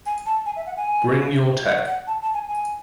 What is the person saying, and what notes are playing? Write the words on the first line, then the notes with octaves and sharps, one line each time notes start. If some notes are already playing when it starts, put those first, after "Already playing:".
Bring your tech.
G#5
A5
G#5
E5
F#5
G#5
F#5
F#5
A5
A5
G#5
G#5